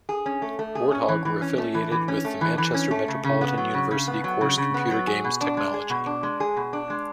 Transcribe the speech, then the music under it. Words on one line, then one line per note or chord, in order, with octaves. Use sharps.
Warthog were affiliated with the Manchester Metropolitan University course Computer Games Technology.
G#4
C#4
A3
A3
G#4
C#4
E3
E3
C#4
A3
E3
E3
C#4
A3
E3
E3
C#4
A3
C#3
C#3
B3
F#3
C#3
C#3
B3
F#3
C#3
C#3
B3
F#3
G#4
B2
D4
G#3
G#4
B2
D4
G#3
G#4
B2
D4
G#3